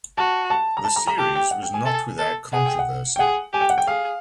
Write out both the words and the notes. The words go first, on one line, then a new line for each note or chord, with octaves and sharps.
The series was not without controversy.
F#4 A5
A5
A#5
A5
A#5
A#5
G4 A5
G5
F#5
G5
G#5
A4
A4
G#4 F#5
G5
F#5
G5
G#4 F#5
G4 G#5
G5
F#5
G5
G#4 F5